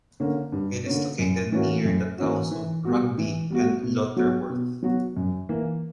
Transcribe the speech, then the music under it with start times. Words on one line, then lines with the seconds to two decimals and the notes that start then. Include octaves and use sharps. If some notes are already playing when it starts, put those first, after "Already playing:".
It is located near the towns of Rugby and Lutterworth.
0.20 D3 A#3 C#4
0.52 G2
0.86 D3 A#3 C#4
1.19 F#2
1.52 E3 A#3 C#4 F#4
1.85 F#2
2.18 E3 A#3 C#4 F#4
2.51 E3
2.85 G3 B3 F#4
3.18 E3
3.50 G3 B3 F#4
3.83 B2
4.16 F#3 B3 F#4
4.50 B2
4.83 F#3 B3 F#4
5.17 F#2
5.49 E3 A#3